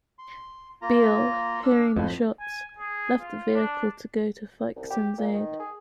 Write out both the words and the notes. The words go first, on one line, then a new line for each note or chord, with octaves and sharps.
Beell, hearing the shots, left the vehicle to go to Fyksen's aid.
C6
A#3 F4 A#5
D4 E6 F6
F2 A2 C5
G#5
G#4
F4
D4
C2
G4
A#2
D#3
G#4